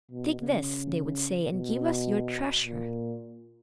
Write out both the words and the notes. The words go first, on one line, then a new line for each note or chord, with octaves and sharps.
"Take this," they would say, "and give us your treasure."
B2
C#3
B2
A#2